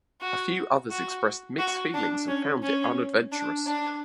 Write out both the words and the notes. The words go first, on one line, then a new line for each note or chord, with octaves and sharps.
A few others expressed mixed feelings and found it unadventurous.
F#4
F#4
F#4
D4
C#4
C#4
D4
D4